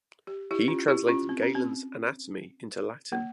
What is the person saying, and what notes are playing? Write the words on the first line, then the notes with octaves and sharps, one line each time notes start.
He translated Galen's "Anatomy" into Latin.
G4
E4 G4
C#4 F4
E4 G4
C#4 F4
C4
C#4
C4
A#3